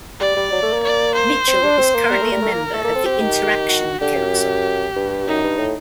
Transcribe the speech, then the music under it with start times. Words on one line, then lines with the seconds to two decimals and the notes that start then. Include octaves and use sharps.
Mitchell is currently a member of the InterAction Council.
0.21 G3 D5
0.36 G3
0.52 F#3
0.63 A3
0.73 A#3
0.84 D5
1.15 C5
1.47 C4
1.63 D4
1.78 C4
1.95 A#3
2.10 G3 A#4
2.21 A3
2.32 G3
2.42 A3
2.53 A#3
2.74 A3 A4
2.84 A#3
2.95 C4
3.06 C4 G4
3.21 D#3
3.69 F#4
4.01 D3 G4
4.17 F#2
4.96 G2
5.27 F#2 D#4
5.43 G2
5.59 A2